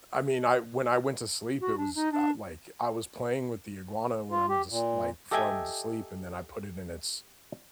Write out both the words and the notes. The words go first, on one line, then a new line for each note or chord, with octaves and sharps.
I mean, I when I went to sleep, it was, uh, like I was playing with the iguana when I went to s like, before I went to sleep, and then I put it in its
F#4
D4
D#4
D4
F4
G4
A#2
G4 A4 D#5 E5 G5 G#5